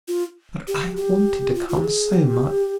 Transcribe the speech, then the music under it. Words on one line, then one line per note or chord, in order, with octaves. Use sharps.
But I wanted to come so much.
F4
G4
G4
F4
F4
G4
G#4
G4